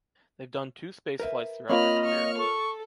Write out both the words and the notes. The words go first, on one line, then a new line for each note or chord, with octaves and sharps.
They’ve done two space flights throughout their career.
A#4 B4 E5
A#3 C4 F4 A#4 C#5 D#5 B5 F6
C#6 F6
A4 C#6